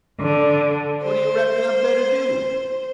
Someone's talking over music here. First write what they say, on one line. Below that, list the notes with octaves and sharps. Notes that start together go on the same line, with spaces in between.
What you reckon I better do?
D3
C5